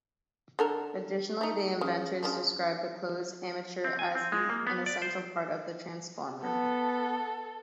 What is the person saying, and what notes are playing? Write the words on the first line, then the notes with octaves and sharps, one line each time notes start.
Additionally, the inventors described the closed armature as an essential part of the transformer.
D3 A4 A#4
A3 D#4
C#3
C#3 F3 D4
C4
G#5
C4
G#3
A#3
B3
D5
C5
B3 A4